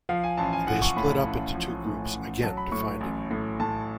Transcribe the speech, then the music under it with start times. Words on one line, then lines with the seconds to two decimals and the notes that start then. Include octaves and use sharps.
They split up into two groups again to find him.
0.09 F3 F5
0.24 G#5
0.38 A1 A5
0.53 G#5
0.67 F3 F#5
0.82 C#6
0.96 A2 B5
1.11 B5
1.26 A1
1.55 F3
1.84 A2
2.14 A1
2.42 F#3 A5
2.57 B5
2.72 A2 C#6
3.01 A1
3.31 A2
3.60 A2 A5